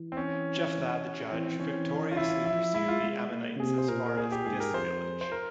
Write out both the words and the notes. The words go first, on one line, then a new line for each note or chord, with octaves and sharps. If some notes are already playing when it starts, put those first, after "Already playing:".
Jephthah, the judge, victoriously pursued the Ammonites as far as this village.
Already playing: E3
C4
C#4
E3 C4
E3 C#4
F4
E4
F3 E4
G#3 E4
F4
G#3
A#3
C3 G#4
C5
A#2 A#4
A#4
G#4
G4
G#2 G#4
A#4
F2 C5
C5
A#4